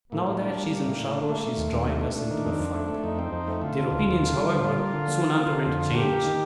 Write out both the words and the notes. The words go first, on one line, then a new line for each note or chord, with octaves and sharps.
"Now that she is in trouble she is drawing us into the fight." Their opinions, however, soon underwent a change.
A2 A#3
A2
D4
G3
G3
A2
A2
D4
A3 A#3
A3
D#2 C4
D#2
A3 D4
A3
A3
D#3
F2
F2
A3
A3
F2 D#4
C4
F2 D#4
A3
D3 F4
D3
D#2
D#2
D3
G3
D3
G3
A#3
D3
F3
F3
A#3
D3
F2
D3
A#3 G4
A#3
D#3